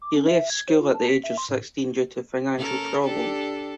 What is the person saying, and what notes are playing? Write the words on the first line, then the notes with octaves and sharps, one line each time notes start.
He left school at the age of sixteen due to financial problems.
D6
C#4
E5
G#6
C5
F4
A5
B6
E5
C6
A2
C#4 A4 A#4
D4 G4 A4